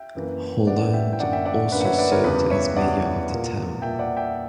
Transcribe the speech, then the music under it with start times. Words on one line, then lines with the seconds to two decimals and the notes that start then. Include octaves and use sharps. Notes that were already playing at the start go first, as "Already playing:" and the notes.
Hollande also served as mayor of the town.
Already playing: E5 G5
0.15 F#2 E3 A#3
0.67 F#2 E3 A#3 D5 F#5
0.93 E5 G5
1.13 G5
1.20 F#2 D3 A#3 D5 F#5
1.32 E5 G5
1.45 D5 F#5
1.72 F#2 D3 A#3 B4 D5
1.81 F#5
1.85 C#5 E5
1.98 B4 D5
2.12 A#4 C#5
2.24 E2 C#3 G3 G4 B4
2.51 C#5 E5
2.76 E2 C#3 G3 D5 F#5
3.30 A#2 A#3
3.82 A#2 A#3 E5 G5
3.99 D5 F#5
4.16 E5 G5